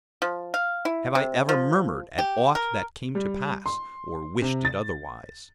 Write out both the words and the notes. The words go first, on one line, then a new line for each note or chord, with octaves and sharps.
Have I ever murmured at aught that came to pass, or wished it otherwise?
F3
F5
E4
C3
F3
G4
A#4
G3
C6
C3
A6